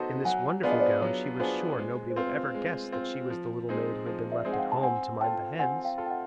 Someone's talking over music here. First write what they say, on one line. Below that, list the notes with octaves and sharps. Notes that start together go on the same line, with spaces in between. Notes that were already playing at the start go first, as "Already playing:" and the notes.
In this wonderful gown she was sure nobody would ever guess that she was the little maid who had been left at home to mind the hens.
Already playing: B3 D#4 F#4 A4 C5
F#3 F#5 G#5
B3 D4 F4 G#4 D5
D#5
C5 D5
F#3 C#5
B3 D4 F4 G#4 C5
G#3 C5
C5
C4 F4 B4
G#3
C4 F4
F3
G#3 C4 D#4 G#4
F3
D5 E5
G#3 C4 D#4 G#4
F#5
F5 G5
A5
C4 F#5 G#5
F4 A4 G5 A5
C4 F#5 G#5
F5 G5
F4 A4
G5
E5 F#5